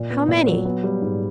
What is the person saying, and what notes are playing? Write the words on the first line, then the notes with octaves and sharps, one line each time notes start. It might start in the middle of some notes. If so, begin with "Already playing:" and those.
How many?
Already playing: A#2
B3
A#2
F#3
B3
G3
G#2